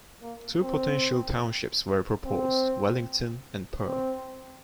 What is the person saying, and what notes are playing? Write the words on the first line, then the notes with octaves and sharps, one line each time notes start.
Two potential townships were proposed: Wellington and Pearl.
A#3
C4
C4
C4